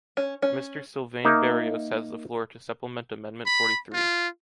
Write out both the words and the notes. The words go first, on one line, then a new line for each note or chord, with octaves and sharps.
Mr Sylvain Berrios has the floor to support amendment forty-three.
C#4
C#4
A#3 D#4 A#4 E5
B5
F4